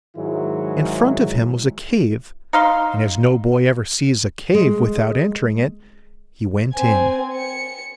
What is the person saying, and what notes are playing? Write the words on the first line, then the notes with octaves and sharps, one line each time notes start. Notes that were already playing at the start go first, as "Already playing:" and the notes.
In front of him was a cave, and, as no boy ever sees a cave without entering it, he went in.
G#2 D#3 F#3 G#3 E4
D#4 F5 C6
G#3
C4 G#5
C#7